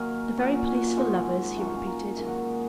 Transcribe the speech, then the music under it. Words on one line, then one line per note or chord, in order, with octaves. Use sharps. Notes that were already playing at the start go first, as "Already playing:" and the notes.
"The very place for lovers," he repeated.
Already playing: D#3 F#3 A#3 F5 G#5
A#2 F#3 C#4
G#5
F#5
F5
G#2 D#3 G#3 D#4 F#5
F#2 F3 A#3 C#4 F#5
F5
G#5
A#5
G#2 D#3 F#3 A#3 G#5
F#5
G#4